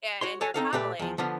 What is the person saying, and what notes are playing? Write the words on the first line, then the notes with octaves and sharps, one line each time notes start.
a and you're traveling
F#4 C#5 C6
A4 C#5 G#5
C4 D#4 A4 F5
A#2 A3 G4 B4
E2 F3
D3 F3 B3 F5